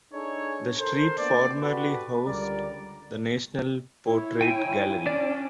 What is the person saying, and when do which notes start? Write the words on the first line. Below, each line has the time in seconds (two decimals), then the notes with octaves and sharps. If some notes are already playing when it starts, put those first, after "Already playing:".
The street formerly housed the National Portrait Gallery.
0.13 D4 D#4 G#4 A4 C#5
0.77 A4 A#4 C5
1.18 A#3 B3 D4 D5
1.61 F#4 G4 A4 B4
2.27 C#2 D3 G3 A#4 D5
4.07 E4 C#5
4.41 G5 G#5
5.06 C#4 D4 D5